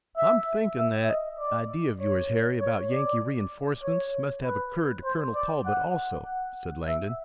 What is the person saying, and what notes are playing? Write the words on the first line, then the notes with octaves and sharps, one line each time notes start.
"I'm thinking that idea of yours, Harry, about Yankee reinforcements, must have occurred to Colonel Talbot also," said Langdon.
E5
E5
D#5
D5
C#5
C#5
D5
C#5
B4
C5
D5
F#5
F#5
E5